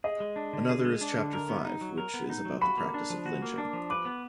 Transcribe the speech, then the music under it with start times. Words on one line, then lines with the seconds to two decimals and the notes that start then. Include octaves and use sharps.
Another is chapter five, which is about the practice of lynching.
0.04 G#4 D#5
0.20 G#3
0.36 D4
0.53 D3
0.69 G#4
0.84 G#3
1.01 D4
1.17 D3
1.33 A#4
1.49 B3
1.65 D#4
1.81 F#3
1.98 A#4
2.14 B3
2.30 D#4
2.45 F#3
2.61 F#4 B5
2.78 A#3
2.94 D4
3.10 F3
3.26 F#4
3.42 A#3
3.58 D4
3.73 F3
3.90 B4 D6
4.05 B3